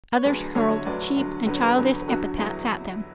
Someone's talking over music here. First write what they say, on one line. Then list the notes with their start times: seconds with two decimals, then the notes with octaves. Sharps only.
Others hurled cheap and childish epithets at them.
0.14 C#5
0.24 D2 D3 F#3 G#4 B4
0.55 D2 D3 F#3 A4 C#5
0.70 C#5 E5
0.85 D2 D3 F#3 B4 D5
1.16 D2 D3 F#3
1.46 E2 D3 F#3 B4
1.54 C#5
1.61 G#4 B4
1.78 E2 D3 F#3
2.08 E2 D3 F#3 F#4 A4
2.38 E2 D3 F#3 E4 G#4